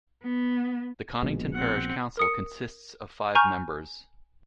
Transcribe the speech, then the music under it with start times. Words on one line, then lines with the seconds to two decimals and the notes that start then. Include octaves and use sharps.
The Conington parish council consists of five members.
0.23 B3
1.22 A#1 B2 G#3
1.53 C4 F#5
2.17 A#4 D#6 C#7
3.35 G#5 A#5 C#6 F6 G6